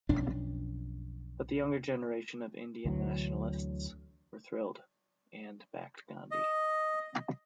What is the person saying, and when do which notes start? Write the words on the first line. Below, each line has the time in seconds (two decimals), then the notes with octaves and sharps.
But the younger generation of Indian nationalists were thrilled, and backed Gandhi.
0.09 B1 F2 C#4 D4
2.85 D2 D3 E3 F#3
6.31 D#5